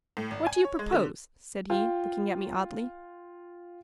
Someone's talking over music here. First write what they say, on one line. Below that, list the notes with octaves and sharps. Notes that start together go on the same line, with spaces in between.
"What do you propose?" said he, looking at me oddly.
A2
G#1
G#5
C#5
G#3
D3
F4 G5